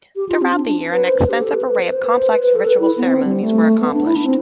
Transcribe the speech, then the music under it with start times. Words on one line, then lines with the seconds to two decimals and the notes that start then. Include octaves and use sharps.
Throughout the year, an extensive array of complex ritual ceremonies were accomplished.
0.16 G4
0.29 F4
0.42 C4
0.53 D4
0.66 D4
0.92 B4
1.04 C5
1.17 B4
1.29 G4
1.41 A4
1.54 B4
1.63 C5
1.67 B4
1.80 C5
1.92 C5
2.05 B4
2.18 C5
2.30 B4
2.43 B4
2.55 A4
2.67 B4
2.80 E4
2.98 B3
3.05 C4
3.25 G3
3.43 A3
3.81 B3
3.94 D4
4.06 E4
4.16 D4
4.26 C4